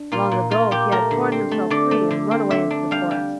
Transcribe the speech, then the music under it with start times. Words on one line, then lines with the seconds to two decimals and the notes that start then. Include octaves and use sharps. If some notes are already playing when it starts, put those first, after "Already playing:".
Long ago he had torn himself free and run away into the forest.
Already playing: D4
0.12 A#2 F4
0.31 A#2
0.51 A#3 F4
0.71 A#2 G4
0.92 A3 A#4
1.11 D3
1.32 C4
1.51 A3
1.70 D3 D5
1.91 A3
2.11 D3
2.31 C4
2.51 D3 E5
2.71 D4
2.91 G3 F5
3.11 G3